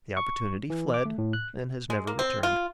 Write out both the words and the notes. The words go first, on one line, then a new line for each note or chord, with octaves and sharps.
The opportunity fled and has never returned.
C#6
E3
D6
A3
A2
F#6
G#3
A#3
C4
F4